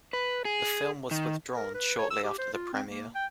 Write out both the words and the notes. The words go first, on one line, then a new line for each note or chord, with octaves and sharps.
The film was withdrawn shortly after the premiere.
B4
G#4
D#3
A#4
B4
C#5
E6
G4
C5
F4
C4
A#3
G5